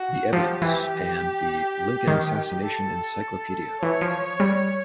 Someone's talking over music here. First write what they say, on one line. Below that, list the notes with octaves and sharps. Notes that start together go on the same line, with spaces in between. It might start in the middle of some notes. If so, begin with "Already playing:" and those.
The Evidence, and The Lincoln Assassination Encyclopedia.
Already playing: F#4
F3 G4
E3
D#3
A4
E3 C#5
F3
G3